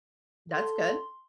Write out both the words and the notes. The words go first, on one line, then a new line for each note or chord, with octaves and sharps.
That's good.
A4 C6